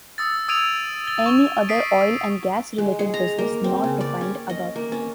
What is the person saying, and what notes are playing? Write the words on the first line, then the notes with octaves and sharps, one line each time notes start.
Any other oil and gas related business not defined above.
D#6 E6 A6
D#6 E6 G#6 D7 D#7 F7
A6 G7
C#6 G7
D#6 B6 C7 D7 D#7
G#3
G#4
A#5
A#3
C4
C#3
D5
C#4
D#5
A#3
C#4